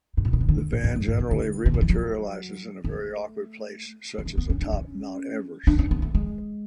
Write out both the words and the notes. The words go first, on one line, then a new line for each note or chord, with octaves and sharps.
The van generally rematerialises in a very awkward place, such as atop Mount Everest.
G#2
A2
B2
C#3
D3
A2
G#2
F#2
G#2
C#3
D3
C#3
D3
E3
F#3
A3
G#3
A3
B3
C#4
D4
C#4
D4
C#4
B3
A3
G#3